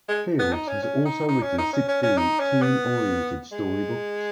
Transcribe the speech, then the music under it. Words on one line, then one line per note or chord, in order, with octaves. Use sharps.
Fields has also written sixteen teen-oriented story books.
G#3
B3
D#4
C#4
C#4
D#4
D#4
C#4
D#4
C#4
C#4
C#4
D#4
C#4
B3
G#3